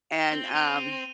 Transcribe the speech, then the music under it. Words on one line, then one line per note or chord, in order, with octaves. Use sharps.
and um
G7
C4
D#7
C4 F7
D#7
D#7